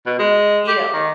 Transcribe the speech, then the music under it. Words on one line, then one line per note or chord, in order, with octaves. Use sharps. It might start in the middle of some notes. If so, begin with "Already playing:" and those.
you know,
B2
G#3
G4
D#3